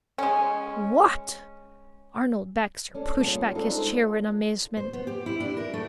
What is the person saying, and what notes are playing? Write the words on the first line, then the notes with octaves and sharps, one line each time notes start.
"What!" Arnold Baxter pushed back his chair in amazement.
G#3 C#4
C#4 D4 A4
G3 A#3 B3 C#4 F4 G#4
G#3 C4 D4 D#4 F4 A4
C5
B3
G4
E4
D4
A#4
A3